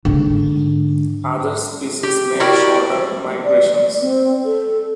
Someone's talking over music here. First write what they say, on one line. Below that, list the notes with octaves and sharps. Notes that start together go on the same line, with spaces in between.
Other species make shorter migrations.
G#2 D3
G4
E4 F#4 G4 A#4 D5
D5
D5
C4
A4